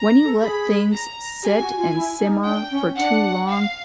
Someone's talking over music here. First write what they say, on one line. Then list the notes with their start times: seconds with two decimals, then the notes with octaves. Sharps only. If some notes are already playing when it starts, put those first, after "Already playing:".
When you let things sit and simmer for too long,
Already playing: A#5
0.24 A4
0.41 G#4 B5
0.92 A#5
1.43 G4 G#5
1.60 F#4
1.77 F4
1.94 E4
2.20 D#4
2.45 D4 G5
2.71 C#4
2.96 D4 F#5
3.48 F5